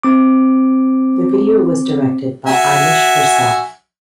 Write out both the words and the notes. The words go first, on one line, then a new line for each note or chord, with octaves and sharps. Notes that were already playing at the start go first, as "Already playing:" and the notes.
The video was directed by Eilish herself.
C4 D6
F#4 E5 G#5